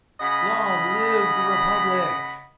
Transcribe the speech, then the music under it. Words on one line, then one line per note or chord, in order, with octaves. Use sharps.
"Long live the Republic!"
C#3 D#5 F#5 B5